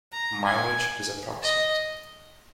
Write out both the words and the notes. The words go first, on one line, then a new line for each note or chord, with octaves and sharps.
Mileage is approximate.
A#5
G#5
D#5